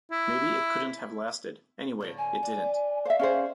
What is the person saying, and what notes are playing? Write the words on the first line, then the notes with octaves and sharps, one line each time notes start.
Maybe it couldn't have lasted; anyway, it didn't.
E4
A2 D3 A#3
G#5
D4
C5 E5 F5
C#4 G#4 C5